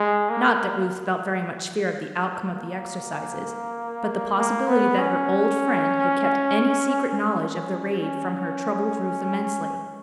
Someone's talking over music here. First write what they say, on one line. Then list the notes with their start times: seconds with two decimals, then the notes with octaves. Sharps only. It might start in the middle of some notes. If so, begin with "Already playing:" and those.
Not that Ruth felt very much fear of the outcome of the exercises; but the possibility that her old friend had kept any secret knowledge of the raid from her troubled Ruth immensely.
Already playing: G#3
0.30 A#3
2.57 A#3
4.38 A#3
4.68 B3
4.99 C#4
7.10 C#4
7.56 C#4
8.01 C#4